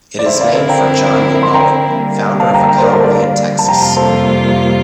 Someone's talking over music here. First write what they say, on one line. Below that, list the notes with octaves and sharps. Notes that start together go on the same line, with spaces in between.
It is named for John McMullen, founder of a colony in Texas.
D5
D3 F3 C4 E4 A#4 C5 E5
D5 F5
D5 F5
G5 A#5
C6
G5 A#5
D3 G3 A#3
F5 A5
G5 A#5
G5 A#5
C5
A#4 D5
A4 C5
A#4 D5
D5 F5
A5
F2 C3 G3 A#3 F4 G5 A#5
F5 A5
A4 C5